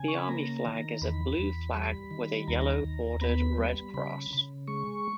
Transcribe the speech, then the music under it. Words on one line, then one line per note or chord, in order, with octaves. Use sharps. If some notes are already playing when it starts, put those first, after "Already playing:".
The army flag is a blue flag with a yellow bordered red cross.
Already playing: C#3 G#5
C#6
B5
A#3 A#5
D#3
E2 B5
E2
G3
D#3
D#2 A#5
D#2
B3 B5
G3
C#3 B5
C#3
G#3 C#6